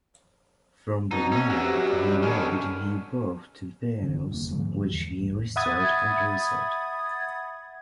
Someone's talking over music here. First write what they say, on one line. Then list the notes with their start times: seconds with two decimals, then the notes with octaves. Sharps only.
From the money he made he bought two pianos which he restored and resold.
1.11 B2 F#3 C4 D#4
1.32 C#4 F#4 E5
1.50 F#2 F#3 G4 F#5
1.87 G3
2.23 D3 D#3 C#4 C#5
4.01 G1 D3 E3
4.31 F1 A#3
4.51 G#2 D3 F3 G#3
4.90 E2
5.18 A1
5.56 E5 F#5 B5 D#6 G#6 A6